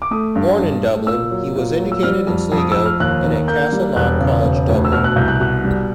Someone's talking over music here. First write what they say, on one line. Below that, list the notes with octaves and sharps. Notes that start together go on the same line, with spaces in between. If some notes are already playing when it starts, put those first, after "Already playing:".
Born in Dublin, he was educated in Sligo and at Castleknock College, Dublin.
D6
A3 D#6
G2
G2
A3
A#2 E6
F#3
A#2
F#3
E6
G3 F6
F2
F2
D#6
F2 E6
F6
D#2 F#6
D#3
A#3 G6
G3
E1 F#6
C#3
E1
D2
E6
B2 F6
F#6
C2 G6
F#6
B2 F#6
G3